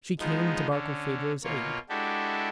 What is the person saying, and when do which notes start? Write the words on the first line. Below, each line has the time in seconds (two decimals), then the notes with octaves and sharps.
She came to Barkilphedro's aid!
0.19 F3 G#3 B3 D#4
0.70 D3 C#4
1.44 B2 A#3 F4 C#5
1.89 G#3 D4 E4 F#4 G4 A4